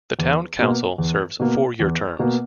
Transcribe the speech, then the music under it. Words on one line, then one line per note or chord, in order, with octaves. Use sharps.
The Town Council serves four-year terms.
E2
B2 A#3
E2
B2 A#3
E2
B2 A#3